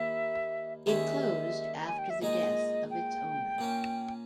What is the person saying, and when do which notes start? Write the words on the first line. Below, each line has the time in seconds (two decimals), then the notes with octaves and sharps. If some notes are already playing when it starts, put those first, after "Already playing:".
It closed after the death of its owner.
Already playing: D#2 D#3 A#3 E4 E5
0.86 D#2 D#3 G#3 C#4 G4 E5
1.75 A#5
1.87 G#5
1.98 G5
2.10 E5
2.22 A#2 G#3 D#4 G#4 D#5
2.90 G5
3.58 A#2 A#3 C#4